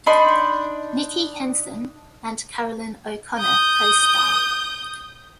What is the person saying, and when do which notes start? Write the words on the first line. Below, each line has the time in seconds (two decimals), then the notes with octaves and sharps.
Nicky Henson and Caroline O'Connor costarred.
0.06 D4 D#4 B5 C6
3.39 D#6 G6